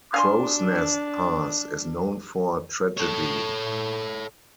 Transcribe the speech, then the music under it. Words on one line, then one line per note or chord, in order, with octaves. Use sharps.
Crowsnest Pass is known for tragedy.
D4 F5 G#5 C6
A4 C#5